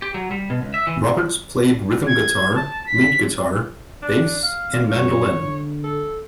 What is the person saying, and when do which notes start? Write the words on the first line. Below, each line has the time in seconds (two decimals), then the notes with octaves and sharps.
Roberts played rhythm guitar, lead guitar, bass, and mandolin.
0.02 G4
0.14 F#3
0.31 G3
0.50 B2
0.62 C#2
0.74 E5
0.87 E3
2.07 G#6
2.55 A5
2.86 B6
4.03 D4
4.43 F5
4.95 F#2 C#5
5.39 D3
5.84 A4